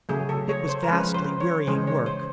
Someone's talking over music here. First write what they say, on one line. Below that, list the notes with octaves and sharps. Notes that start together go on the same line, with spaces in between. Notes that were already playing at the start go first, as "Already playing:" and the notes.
It was vastly wearying work.
C#3 F#3 A3 G#4
A4
C#5
C5
A#4
F3 G#3 C#4 B4
C5
C#5
C#3 E3 G#3 C#4 C5
C#5
C5